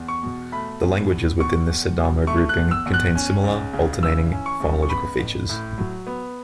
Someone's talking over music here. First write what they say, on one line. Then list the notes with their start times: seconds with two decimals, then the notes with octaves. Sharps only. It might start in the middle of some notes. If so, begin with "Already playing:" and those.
The languages within this Sidamo grouping contain similar, alternating phonological features.
Already playing: E2
0.08 C#6
0.23 B2
0.52 A3 B5
0.82 E2
1.11 E2
1.40 E2 C#6
1.69 E2
1.98 B2
2.27 A3 C#6
2.49 F#6
2.57 E2
2.71 E6
2.86 E2
2.94 F#6
3.15 C#4
3.44 C#2
3.73 C#3
4.03 E3 E6
4.32 C#4
4.46 C#6
4.60 C#2
4.82 C#6
4.90 B3 B5
5.19 A1
5.49 A2
5.78 F#3
6.07 B3